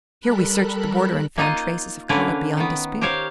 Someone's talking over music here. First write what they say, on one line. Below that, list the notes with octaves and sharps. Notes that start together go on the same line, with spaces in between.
Here we searched the border and found traces of color beyond dispute.
G3 A4 A#4 B5 F#6
A#3 D#4 F4 D#5
D3 A#3 C#4 A#4 B4
D#3 B3
G4 A#4 C5 C#5 F5